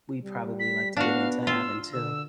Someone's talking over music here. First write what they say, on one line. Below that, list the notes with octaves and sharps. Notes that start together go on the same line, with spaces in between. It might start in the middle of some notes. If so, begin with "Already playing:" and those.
we'd probably like to get into having too.
G3
B6
B3 D4 F#4 F5
F4 E6
D3 E6